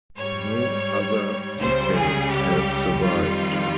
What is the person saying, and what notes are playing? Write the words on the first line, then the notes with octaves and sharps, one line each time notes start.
No other details have survived.
G#2 G3 C#5
C#2 C#3 G3 C5
G#4
G4
F2 D#3 G3 F4